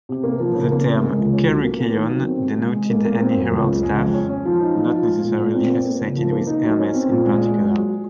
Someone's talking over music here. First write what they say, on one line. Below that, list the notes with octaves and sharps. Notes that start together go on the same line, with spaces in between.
The term "kerukeion" denoted any herald's staff, not necessarily associated with Hermes in particular.
C3
A#3
F3
C#3
A#3
C3
G#3
C#2
C#4
F#3
A#3
A#3
D#3
F#3
C4
C3
G#3
G#3
A#3
A#3
C4
F#2
C#2
C#3
G#3
F2
C#4
C#4
F3
D#4
F3
F4
G#3
A#2
A#2
C4
A#3
A#3
C#3
F3
A#3
D#4
F#3
C#4
C4
A#2
G#3
G#3
F#3
F#3